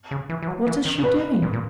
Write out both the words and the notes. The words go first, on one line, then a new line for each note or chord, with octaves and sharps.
"What is she doing?"
C#3
E3
E3
F#3
E3
D#3
C#3
B2 B4
A#2
A#2